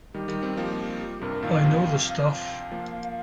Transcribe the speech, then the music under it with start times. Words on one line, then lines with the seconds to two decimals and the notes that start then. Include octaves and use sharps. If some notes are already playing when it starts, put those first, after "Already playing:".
I know the stuff.
0.14 D#3 G3 G4
0.28 D#3 G3
0.42 G3 C4
0.57 F3 A#3
1.00 G4
1.22 G2 C3 A#4
1.42 A#2 D#3 F5
1.64 C3 F3
2.29 F5
2.72 F3 A#3